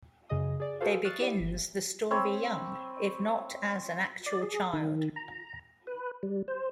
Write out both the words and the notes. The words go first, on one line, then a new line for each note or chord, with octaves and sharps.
They begins the story young, if not as an actual child.
F#2 C#3 G#4 D#5 D#6
G#4 D5
F#4 G#4 A4 B4 C5 F5
C#6 D#6 F6 F#6 A6 C7
E4 G4 D5
G1
C4 C#5 B5 E6
D5
G#4
D#3
A#5
B4
G3
C5